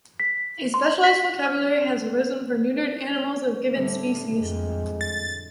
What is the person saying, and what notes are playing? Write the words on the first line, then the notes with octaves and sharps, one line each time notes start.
A specialized vocabulary has arisen for neutered animals of given species.
B6
C6
B6
F6
A2 D3 G3
F2 G#3
A6